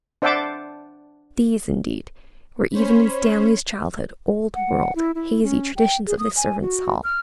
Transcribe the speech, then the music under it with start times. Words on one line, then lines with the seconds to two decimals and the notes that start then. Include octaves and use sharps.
These, indeed, were even in Stanley's childhood old-world, hazy, traditions of the servants' hall.
0.22 D4 C5 E5 F#5 A5 D6
2.72 C#4 C5 C#5 B5
4.55 F#5
4.95 E4
5.15 E4
5.43 C#4
5.76 G5
6.07 G#4
6.19 D#6
6.36 G#5
6.62 F#4
7.04 F6